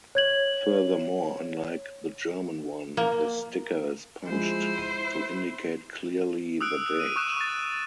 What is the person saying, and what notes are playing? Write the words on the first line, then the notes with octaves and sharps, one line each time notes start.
Furthermore, unlike the German one this sticker is punched to indicate clearly the date.
C#5 G#6 F#7
A#3
F3 G#3 E4 C5
D#7
D#6 E6 F#6 D7
D#7
C#6 D#6 F#6 E7
C#6 A6